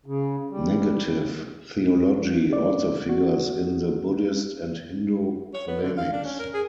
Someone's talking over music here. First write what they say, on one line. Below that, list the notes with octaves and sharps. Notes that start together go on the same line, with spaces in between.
Negative theology also figures in the Buddhist and Hindu polemics.
C#3
G3
D5
F#4
C#5
B3
D3
F5
D4
C#4
A#4
G#4